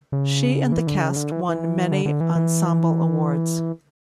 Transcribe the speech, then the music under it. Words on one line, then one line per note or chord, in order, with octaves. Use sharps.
She and the cast won many ensemble awards.
C#3
E3
D3
C#3
D3
E3
E3
D3
D3
E3
E3